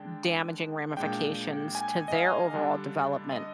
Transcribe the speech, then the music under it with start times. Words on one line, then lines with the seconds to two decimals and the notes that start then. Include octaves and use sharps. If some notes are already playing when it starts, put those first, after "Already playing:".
damaging ramifications to their overall development
Already playing: D3 G#3 D4 G5
0.97 A#2 G#3 D4 G5
1.75 G#5
2.08 D#5
2.15 F5
2.54 D3 G3 D4
3.32 D#5